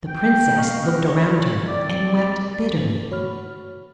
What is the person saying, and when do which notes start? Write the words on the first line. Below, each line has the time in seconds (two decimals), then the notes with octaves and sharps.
The princess looked around her, and wept bitterly.
0.07 G5
0.56 D#5 F5 C#6
0.83 D2 D#3 C4 D#5 F#5 F6
1.06 D2 A3 F#4 C#5
1.67 D#3 A3 C4 D5
3.11 F#4 C#5 B5 F6